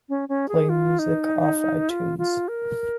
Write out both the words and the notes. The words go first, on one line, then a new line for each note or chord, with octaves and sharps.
Play music off Itunes.
C#4
C#4
G#4
F4
D#4
F4
F4
A#4